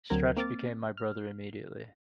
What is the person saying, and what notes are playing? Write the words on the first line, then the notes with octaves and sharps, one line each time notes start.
Stretch became my brother immediately.
D2 F#3 C4 A#4 G#6
A#3 C4 D6 F6 A6
F6